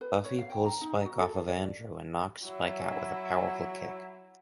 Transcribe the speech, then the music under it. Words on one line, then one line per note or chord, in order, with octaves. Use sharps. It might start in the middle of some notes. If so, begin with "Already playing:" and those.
Buffy pulls Spike off of Andrew and knocks Spike out with a powerful kick.
B4
C#5
F5
G5
A#5
D#4
F#4
A4
D5
F#3 E4